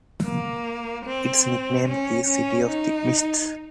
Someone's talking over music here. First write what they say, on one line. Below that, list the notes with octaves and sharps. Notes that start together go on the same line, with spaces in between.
Its nickname is City of the Mists.
A#3
C4
C#4
C#4
D#4